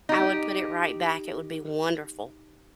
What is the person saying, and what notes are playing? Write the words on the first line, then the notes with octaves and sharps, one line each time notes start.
I would put it right back, it would be wonderful.
D#4 G4